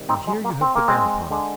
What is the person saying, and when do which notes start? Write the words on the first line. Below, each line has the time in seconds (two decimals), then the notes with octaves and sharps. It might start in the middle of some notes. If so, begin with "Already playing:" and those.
And here you have begun upon it.
Already playing: C3 D#3 G3
0.09 C4 D#4
0.27 G#3
0.44 A#3
0.61 C4
0.75 A#3
0.88 G#3 C4
1.31 D3 G#3